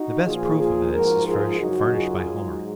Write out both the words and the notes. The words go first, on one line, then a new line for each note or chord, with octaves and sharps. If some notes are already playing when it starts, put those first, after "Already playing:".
The best proof of this is furnished by Homer.
Already playing: D#4 F#4
A#2 F3 F4 G#4
F4 G#4
G#2 F3 F#4 A#4
F4 G#4
F#2 C#3 F#3 D#4 F#4
F4 G#4
G#2 F#3